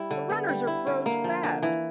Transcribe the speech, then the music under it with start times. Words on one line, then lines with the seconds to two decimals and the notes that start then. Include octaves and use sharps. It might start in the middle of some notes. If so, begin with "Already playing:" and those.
The runners are froze fast.
Already playing: G3 E4
0.11 D3
0.29 B3
0.49 G3
0.67 E4
0.87 D3
1.06 A#3
1.24 F3
1.43 D3
1.63 E3